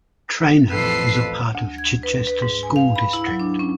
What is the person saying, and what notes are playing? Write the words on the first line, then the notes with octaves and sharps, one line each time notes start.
Trainer is a part of Chichester School District.
A1 F2 A4 B4 C7
D2
G#6
B4
B4
G#2
G#5
F5
B5
E4
F#3
D4
C#4